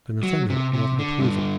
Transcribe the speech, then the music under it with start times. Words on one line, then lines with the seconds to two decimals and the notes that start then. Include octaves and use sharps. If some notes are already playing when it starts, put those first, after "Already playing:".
Sir Nathaniel nodded approval.
0.23 F#3
0.50 C3
0.73 C3
0.99 D3
1.19 G2 D3